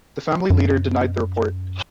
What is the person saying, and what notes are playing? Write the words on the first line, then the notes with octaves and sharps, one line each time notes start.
The Family Leader denied the report.
F#2